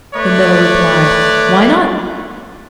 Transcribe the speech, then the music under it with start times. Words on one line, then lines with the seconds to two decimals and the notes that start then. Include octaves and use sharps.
The miller replied, 'Why not?
0.14 A3 B4 C#5 D5